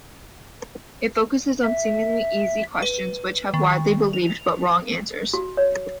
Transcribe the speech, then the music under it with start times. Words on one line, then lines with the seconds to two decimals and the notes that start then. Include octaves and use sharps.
It focuses on seemingly easy questions which have widely believed but wrong answers.
1.63 E5
2.82 B4
3.54 D#3
4.13 F7
5.34 F#4
5.57 C#5